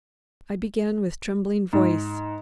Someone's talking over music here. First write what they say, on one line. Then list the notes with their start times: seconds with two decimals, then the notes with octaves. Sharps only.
I began with trembling voice.
1.73 G#2